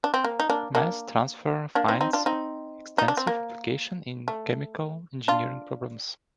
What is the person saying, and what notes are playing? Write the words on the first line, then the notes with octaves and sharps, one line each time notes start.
Mass transfer finds extensive application in chemical engineering problems.
D4
C4
A#3
D#4
A#3 D4
A#3 D4
A#3 D4
C4 D#4
C4 D#4
D4 F4
C4 D#4
D#4
D4
C4
A#3
A3
D4 F4